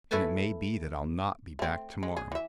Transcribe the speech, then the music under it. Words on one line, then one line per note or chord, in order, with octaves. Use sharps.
"And it may be that I'll not be back to-morrow."
A3 E4 A4 B4 G#5 A5
A3 C4
G#3
G#4
E3 E5